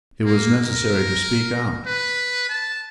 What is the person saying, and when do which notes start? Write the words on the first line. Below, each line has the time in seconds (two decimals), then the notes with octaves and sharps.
It was necessary to speak out.
0.25 A#3
0.65 A#4
1.87 B4
2.49 A5